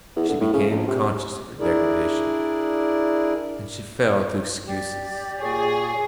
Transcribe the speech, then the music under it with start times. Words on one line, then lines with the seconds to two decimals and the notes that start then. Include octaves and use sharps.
She became conscious of her degradation, and she fell to excuses.
0.16 E2
0.29 D3
0.40 A2
0.54 C#3
0.70 A#1
0.88 C3
1.60 D4 E4 G#4 A#4 D5
4.65 G4 D5
5.40 A#2 G#4 C#5